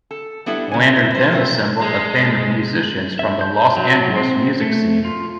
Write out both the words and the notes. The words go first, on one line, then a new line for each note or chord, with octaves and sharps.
Laner then assembled a band of musicians from the Los Angeles music scene.
A4
G3 B3 D4 E4 A4
C#3 G#5
E4
B4 C5
F#3 G3 A3 G4 C5 E5
G#3
E5
G6
F#3
C4
A3
F4